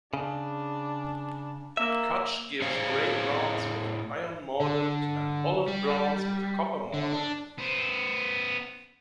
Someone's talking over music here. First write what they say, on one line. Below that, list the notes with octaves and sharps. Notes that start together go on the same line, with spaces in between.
Cutch gives gray-browns with an iron mordant and olive-browns with a copper mordant.
C#3 D4
A#3 E5
A2 G#4 C5 C#5 F5
D3
G3
D3
D4
B3 C5